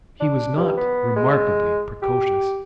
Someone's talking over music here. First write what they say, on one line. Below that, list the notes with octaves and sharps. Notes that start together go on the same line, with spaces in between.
He was not remarkably precocious.
D4
G2
B3
G#3
G4